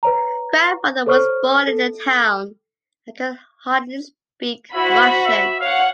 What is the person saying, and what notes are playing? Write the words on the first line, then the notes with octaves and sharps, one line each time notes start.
Grandmother was born in the town and could hardly speak Russian.
B4 C#5 A#5
A4 C5 C#5 C#6 F6
A4
E4 F#4 C5 B5
E5
C#5 F5 F#5